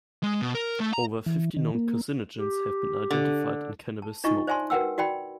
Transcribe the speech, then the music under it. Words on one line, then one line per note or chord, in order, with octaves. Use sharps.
Over fifty known carcinogens have been identified in cannabis smoke.
G#3
B2
A#4
A3
A#5
E3
D#3
A#3
G4
D3
A5
D4 D#4 F4 D#5 C#6
C5 D5 E5 G#5 A5 C6
F#4 A#4 B4 F#5 G5 E6
F#4 D5 G5 B5